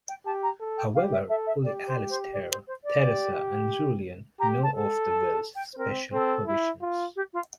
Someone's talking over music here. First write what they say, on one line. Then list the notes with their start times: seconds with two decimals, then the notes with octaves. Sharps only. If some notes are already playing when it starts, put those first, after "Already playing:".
However, only Alistair, Theresa, and Julian know of the will's special provisions.
0.08 G5
0.25 G4 A5
0.43 A#5
0.60 A4
0.77 G5
0.95 G4 F5
1.12 E5
1.29 A4 E5
1.46 E5
1.64 G4 D5
1.86 C5
2.09 C5
2.33 D5
2.50 C5
2.67 C5
2.84 D5
3.01 G4
4.39 G4 A#5
4.63 A5
4.73 A4
5.08 A5
5.32 A5
5.55 G5
5.72 C5
5.77 C4 A#4
6.12 C4 A4
6.47 E4
6.81 F4
7.16 G4
7.33 F4